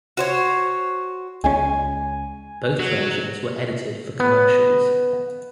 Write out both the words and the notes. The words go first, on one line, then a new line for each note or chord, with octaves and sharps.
Both versions were edited for commercials.
F#4 C5 C#5
C#2 G#3 C#4 G#5
F#3
B3